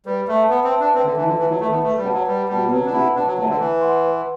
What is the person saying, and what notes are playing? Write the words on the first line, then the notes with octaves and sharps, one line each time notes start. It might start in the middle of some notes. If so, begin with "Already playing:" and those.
And then somebody said, 'Will you do a play?
G3 B4
A3 E5 A5
B3 B4
C4
E5 A5
D4
C4 B4
D3
E3 E5 A5
D3
E3 B4
F#3
A3 E5 A5
B3
A3 B4
G3
F#5 A5
F#3
G3 B4
G3 F#5 A5
F#3 B4
D4
E4 F#5 A5
D4 B4
F#3
F#3 F#5 A5
D3
E3 B4
F#5 C6
B4